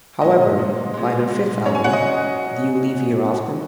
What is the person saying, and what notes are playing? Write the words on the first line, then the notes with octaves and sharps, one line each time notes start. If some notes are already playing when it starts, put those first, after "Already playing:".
However, by their fifth album, Do You Leave Here Often?
A#2 G#3 D#5
A#2 G#3
A#2 G#3
A#2 G#3
F#2 F#3 C#5
G#5
F#5
D#5